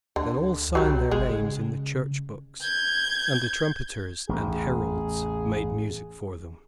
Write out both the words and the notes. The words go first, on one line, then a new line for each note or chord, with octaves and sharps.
Then all signed their names in the church books, and the trumpeters and heralds made music for them.
D2 D3
C2 F#3 G3
G#1 G#3
C#3
G6 G#6
A1 E2 G#4